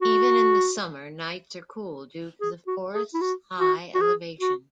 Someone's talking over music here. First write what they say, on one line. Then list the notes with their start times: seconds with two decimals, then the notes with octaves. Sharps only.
Even in the summer, nights are cool due to the forest's high elevation.
0.02 F#4
2.41 G#4
2.67 F#4
2.94 G#4
3.14 E4
3.21 F#4
3.60 F#4
3.95 F#4
4.01 G#4
4.41 F#4